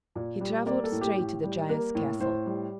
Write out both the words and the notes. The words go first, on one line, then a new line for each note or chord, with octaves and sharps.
He traveled straight to the giant's castle.
A#2
G3
A#3 D5
A4
A2
G4
A2 G4
G3
A#3 A#4
A2
A2 C5
G3